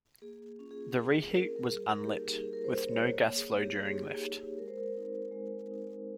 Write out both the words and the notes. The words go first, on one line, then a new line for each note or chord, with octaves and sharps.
The reheat was unlit, with no gas flow during Lift.
A#3 G#4
C#4 F4
G#4
A#3 G#4
C#4 F4 A#4
A#4
G3 G#4
A#4
G#4
A#3 D#4 G4
G3 G#4
A#4
C5
A#3 D#4
C#5
A#3 C#5
G#4
D#4
G4
G4
A#3 G#4
G#4
D#4
G#4
G#3 A#4
C5
A#4
C4 D#4
G#3
C4 D#4